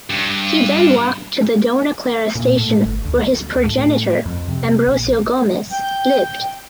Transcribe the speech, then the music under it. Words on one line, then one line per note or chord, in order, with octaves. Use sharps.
He then walked to the Dona Clara station where his progenitor Ambrosio Gomes lived.
G2
A#2
A2
G1
D2
A2
F2
C3
A#1
G5